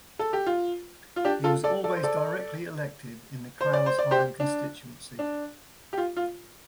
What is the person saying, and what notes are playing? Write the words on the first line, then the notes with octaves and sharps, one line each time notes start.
He was always directly elected in the Crailsheim constituency.
A4
G4
F4
F4
D4 G4
F4 A4
A4 D5
A4 D5
C5
A4 D5
C5
D5
C5
D5
G4 C5
D4
D4
G4
F4
F4